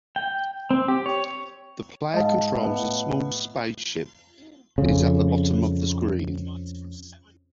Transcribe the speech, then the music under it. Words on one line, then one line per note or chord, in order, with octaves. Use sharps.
The player controls a small spaceship is at the bottom of the screen.
G5
C4
G4
C#5
G#2 D#5 F5 A5
A2 B3
F2 C#3